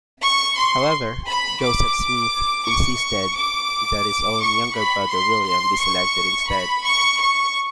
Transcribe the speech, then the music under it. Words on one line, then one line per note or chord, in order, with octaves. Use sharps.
However, Joseph Smith insisted that his own younger brother, William, be selected instead.
C#6
C6
B5
D6
C#6
D6
C#6
B5
C6
C6
C#6
B5
C#6
C#6